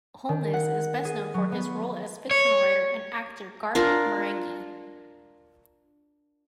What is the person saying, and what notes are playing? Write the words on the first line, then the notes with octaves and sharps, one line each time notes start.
Holness is best known for his role as fictional writer and actor Garth Marenghi.
D#3
F#5
G#4
F#3
B3
C#5
D4 F4 A#4